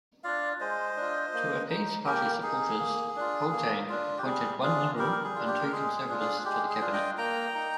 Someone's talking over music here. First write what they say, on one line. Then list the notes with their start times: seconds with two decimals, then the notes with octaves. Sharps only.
To appease party supporters, Haultain appointed one Liberal and two Conservatives to the cabinet.
0.24 D4 F4 D5 F5
0.60 G#3 C5 D#5
0.97 D4 F4
1.33 A#3
1.70 D#4
2.06 A#3 G4 A#4
2.42 D#4 G#4
2.79 A#3
3.16 D4 F4
3.52 A#3
3.89 D4 F4
4.18 G4
4.25 G3 G#4
4.62 D4 F4 G#4
4.98 G3 G4 A#4
5.12 A#4
5.23 G#4
5.36 D4 F4
5.47 G4
5.61 A#4
5.71 G#3 G#4
5.96 G#4
6.09 D4 F4
6.20 G#4
6.45 G#3 G4
6.69 G#4
6.81 D4 F4
6.93 D#5 G5
7.18 A#3 G5 A#5
7.54 D#4